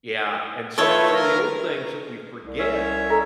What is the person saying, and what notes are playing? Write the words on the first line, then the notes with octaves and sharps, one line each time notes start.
Yeah, and some of some of the old things that we forget
A3 E4 F4 A4 B4 C#5
A#4
C2
C#4 C#5 E5
A4 D#5 A#5